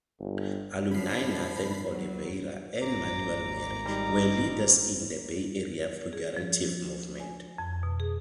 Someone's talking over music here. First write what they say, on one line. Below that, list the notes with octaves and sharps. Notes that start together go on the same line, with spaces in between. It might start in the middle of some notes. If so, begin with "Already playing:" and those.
Alumni Nathan Oliveira and Manuel Neri were leaders in the Bay Area Figurative Movement.
G1
D3 F3 E4 F4 B5 C7
F#3
G#1 A#5 D6
G3 D#4
G#4
F3
G#5
F2
B2
G#4